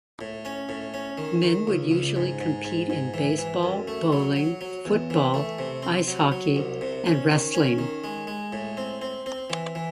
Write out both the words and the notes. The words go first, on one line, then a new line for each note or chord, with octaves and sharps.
Men would usually compete in baseball, bowling, football, ice hockey, and wrestling.
A2
C#4
A2
C#4
D#3
D#3
C#2
C#2
G#2
G#2
G#2
G#2
E3
E3
F#2
A3
F#3
F#3
F#3
E2
E3
A3
C3
C4
F#3
F#3
C2
C3
C#4
D#3
C#4
D#3
G#3
G#3
A2
C4
C4
C4
E3
E3